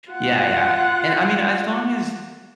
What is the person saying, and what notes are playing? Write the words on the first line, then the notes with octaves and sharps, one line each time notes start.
Yeah, yeah. And, I mean, as long as
F4 F#5